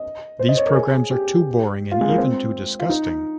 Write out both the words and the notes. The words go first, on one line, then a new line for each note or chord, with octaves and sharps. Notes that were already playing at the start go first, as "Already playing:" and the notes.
These programs are too boring and even too disgusting!
Already playing: D#5
C5
D#5
C#5
A#4
G#4
G4
F4
G#3
A#3
C4
F4
D#4